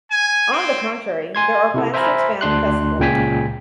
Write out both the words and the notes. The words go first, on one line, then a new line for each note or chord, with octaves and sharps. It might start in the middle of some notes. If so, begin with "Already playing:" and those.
On the contrary, there are plans to expand the festival.
G#5
C4
G#5 C6 G#6
C3 E4 A4
C5 E5 G#5 A#5 B5 F6
D2 D4 C6 F#6
C#2 A#2 C#3 G5 G#5 B6